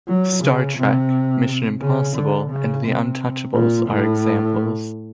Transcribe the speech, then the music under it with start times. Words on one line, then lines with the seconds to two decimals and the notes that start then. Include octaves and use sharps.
"Star Trek", "Mission Impossible", and "The Untouchables" are examples.
0.09 F#3
0.43 C#3
0.77 C3
1.81 C#3
2.16 D3
2.50 C#3
2.85 C3
3.54 A#2
3.88 A2